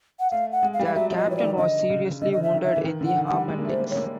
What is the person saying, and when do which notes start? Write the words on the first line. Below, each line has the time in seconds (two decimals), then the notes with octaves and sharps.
The captain was seriously wounded in the arm and legs.
0.20 F#5
0.31 A3 F5
0.52 F#5
0.63 G#3
0.74 F5
0.79 G3
0.86 F5
0.94 F#3 E5
1.10 F3 E5
1.16 D#5
1.26 E3 C#5
1.36 D5
1.43 D#3
1.57 D3 D#5
1.90 C#3
2.22 D3 D#5
2.33 D#5
2.43 E5
2.54 D#3
2.64 E5
2.76 E3
2.84 D#3
3.01 D3
3.06 F#5
3.17 D#3
3.27 G3 F#5
3.48 G#3
3.59 A#3
3.65 A3 C5
3.80 A#3
3.90 C#5
3.96 A#3